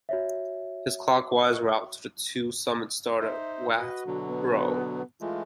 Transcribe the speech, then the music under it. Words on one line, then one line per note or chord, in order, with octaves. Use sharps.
His clockwise route to the two summits starts at Wath Brow.
F#4 C#5 E5
D#4 C5 E5
F#4 B4 D#5
B2 D3 F#3
B3
E3 G#3 A3 F4